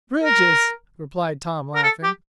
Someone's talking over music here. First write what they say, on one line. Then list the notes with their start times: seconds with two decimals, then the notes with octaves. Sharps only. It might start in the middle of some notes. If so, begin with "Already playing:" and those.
"Bridges," replied Tom, laughing.
0.23 A#4
1.75 A#4
1.83 A4
2.03 G4